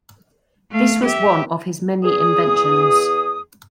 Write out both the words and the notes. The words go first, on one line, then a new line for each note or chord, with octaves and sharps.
This was one of his many inventions.
A3 F5
G4 E5
E2 G#4 D#6